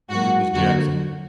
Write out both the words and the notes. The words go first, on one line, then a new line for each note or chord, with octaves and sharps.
It was Jackson.
G#2 F#3 A#3 F#4
F2 D3 F#3 A#3 F#4